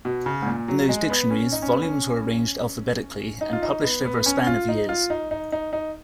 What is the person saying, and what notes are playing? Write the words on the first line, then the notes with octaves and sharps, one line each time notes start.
In those dictionaries, volumes were arranged alphabetically and published over a span of years.
B2
C#3
G#2
A#2
F#3
G#3
B3
C#4
D#4
C#4
B3
C#4
D#4
F4
D#4
B3
B3
C#4
F4
D#4
F4
D#4
D#4
D#4
D#4